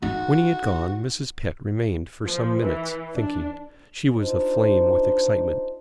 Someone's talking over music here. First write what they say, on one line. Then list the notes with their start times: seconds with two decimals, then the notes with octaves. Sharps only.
When he had gone, Mrs. Pett remained for some minutes, thinking. She was aflame with excitement.
0.02 D#4 F#4
2.26 F3
2.60 E3
3.16 D4
4.17 D4 D#4 F4 C5